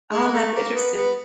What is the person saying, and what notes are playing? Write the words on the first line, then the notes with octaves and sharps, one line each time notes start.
Oh, that's interesting.
G#3
A#3
A3
A#3
B3
B3